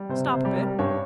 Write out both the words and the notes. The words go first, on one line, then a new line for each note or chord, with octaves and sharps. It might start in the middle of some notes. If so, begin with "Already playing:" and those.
'Stop a bit.
Already playing: G3
C3 C5
C3
C5
G3
A#4
G3
G2 C#5